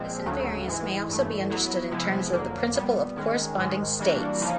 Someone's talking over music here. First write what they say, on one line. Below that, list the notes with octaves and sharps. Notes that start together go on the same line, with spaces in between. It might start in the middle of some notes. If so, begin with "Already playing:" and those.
This invariance may also be understood in terms of the principle of corresponding states.
Already playing: A#2 F3 G#3 C4
D2 C#3 F#3 A3
G#2 E3 G#3
G2 E3 A3
F#3 B3 E4
C3 F3 G#3 B3 E4
F2 D3 F#3 A#3
A#2 G3 B3
D#3 G#3 C#4
G#2 D#3 G#3
E3 G3 A#3 D4 F#4
C#3 F3 A#3 D#4